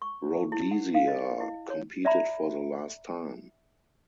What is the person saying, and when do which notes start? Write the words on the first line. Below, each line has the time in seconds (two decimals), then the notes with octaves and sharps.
Rhodesia competed for the last time.
0.02 C#6
0.52 E4
0.71 F#5
0.94 F5
1.08 D#5
1.41 E4
1.70 C#5
2.05 D5 E5 G5 A#5 B5